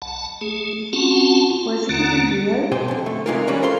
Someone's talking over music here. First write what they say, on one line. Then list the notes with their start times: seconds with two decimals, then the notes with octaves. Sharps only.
Was It Even Real?
0.02 B1 F#5 A5
0.41 A3 G#4
0.93 C4 C#4 F4 F#4 F#5 A5
1.50 F4
1.89 D#2 D3 A3 F#5 A#5
2.72 B1 B2 G4 C5 G5 G#5
2.88 F2 D3
3.06 A3
3.26 C3 E3 G#3 D#4 F4 A#4
3.47 E3 G3 A#3 C#4 A#4 B4
3.62 A4 C5 F5 C6